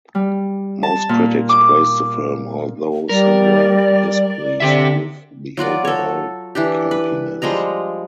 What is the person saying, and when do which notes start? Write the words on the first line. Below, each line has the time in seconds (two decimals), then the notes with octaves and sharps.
Most critics praised the film, although some were displeased with the overall campiness.
0.15 G3
0.83 A5
1.09 A#2
1.49 D6
3.09 G3 A#4 D5
4.60 D3 C4 G4 E5
5.57 F#3 F4 F#4 D5
5.85 A4 C#5
6.55 E3 D4 G4
6.91 B4
7.42 F3 G3 G#3 A#5